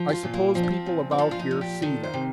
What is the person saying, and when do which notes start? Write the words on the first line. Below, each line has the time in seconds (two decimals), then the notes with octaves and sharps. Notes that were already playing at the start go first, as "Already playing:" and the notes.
"I suppose people about here see that."
Already playing: F3
0.09 G4
0.13 F4
0.23 A#2
0.34 A#3
0.55 F3 C4
0.63 D4
0.71 C4
0.86 A#2
1.11 C4
1.18 F3 D4
1.31 F4
1.39 D#4
1.51 A#2
1.61 G4
1.82 D#3 A4
2.04 C5
2.14 C3